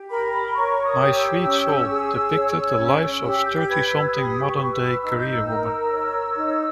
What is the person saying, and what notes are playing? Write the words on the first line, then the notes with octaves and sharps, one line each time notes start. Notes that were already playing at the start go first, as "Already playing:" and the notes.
"My Sweet Seoul" depicted the lives of thirty-something modern-day career women.
Already playing: G4
A#4 B5
B5
C#5 C#6
D#6
G4
E6
C#4
G#4
C#5
C#4
G4 E6
G6
B4 G#6
E6
G4 D#6
C#6
B4
E6
D#4 E6
G6
E6
A#4
C#5
D#4